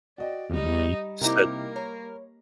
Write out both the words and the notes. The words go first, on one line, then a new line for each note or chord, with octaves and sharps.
Mhm. Said
F#4 D5 D#5 G5
G3 D#4
C3 A#3 D#4 E4 G4 A#4
A#4 C#5